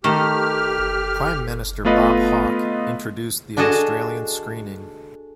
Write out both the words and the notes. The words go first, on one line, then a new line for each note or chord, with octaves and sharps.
Prime Minister Bob Hawke introduced the Australian screening.
D#3 A3 G4 F6
A3 B3 F4 B4 D#5
D4 F#4 G#4 A4 D#5